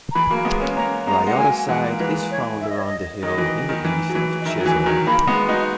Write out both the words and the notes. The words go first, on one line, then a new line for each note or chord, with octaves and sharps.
Rhyodacite is found around the hill in the east of Chisholm.
A#5
E3 B5
F#3 A#3
G#3 B3
A#3 C#4
A#3 C#4 A#5
G#3 B3 A#5
G#3 F#5
F#3 A#3 G#5
E3 G#3 F#5
A#3
E3 G#3 B4
C#5
E5
D#5
C#5
D#5
D#3 F#3 D#5
E3
D#3
E3
F#3
E3
D#5
D#3 E5
F#3
E3 G#5
D#3 F#3 A#5
F#3 A#3 B5
G#3 B3
D#4 F#4